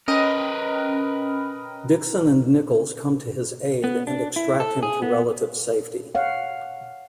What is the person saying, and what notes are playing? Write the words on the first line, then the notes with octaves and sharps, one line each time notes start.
Dixon and Nichols come to his aid and extract him to relative safety.
C#4 A#4 B4 D#5 G5
B3
D4
E4
A4
G#4
B3
C#5 F5 F#5